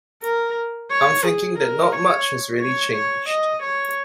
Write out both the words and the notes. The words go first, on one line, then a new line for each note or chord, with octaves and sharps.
I'm thinking that not much has really changed.
A#4
C#5
G#4
A#4
C#5
C#5
C#5
D#5
C#5